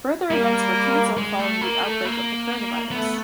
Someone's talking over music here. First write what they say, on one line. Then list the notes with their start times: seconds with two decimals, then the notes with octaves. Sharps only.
Further events were cancelled following the outbreak of the coronavirus.
0.31 G3 A#3
1.18 G#3
1.39 A3
1.61 A#3
1.82 A3
2.05 A#3
2.91 A3 B3